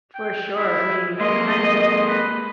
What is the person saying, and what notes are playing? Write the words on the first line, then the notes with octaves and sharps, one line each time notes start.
For sure. I mean, sometimes it's
G5
E4
G#3 A#3 D#5 C6
B4